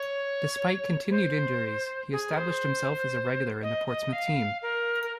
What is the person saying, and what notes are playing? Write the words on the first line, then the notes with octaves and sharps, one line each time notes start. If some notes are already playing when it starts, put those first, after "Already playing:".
Despite continued injuries, he established himself as a regular in the Portsmouth team.
Already playing: C#5
C5
G#4
C5
D#5
D#5
F5
A#4
A#4